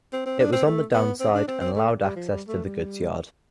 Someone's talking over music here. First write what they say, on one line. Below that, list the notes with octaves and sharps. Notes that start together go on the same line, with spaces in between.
It was on the down side and allowed access to the goods yard.
C4
C4
D4
C4
A3
B3
C4
D4
C4
C4
A3
G3
F3
G3
A3
G3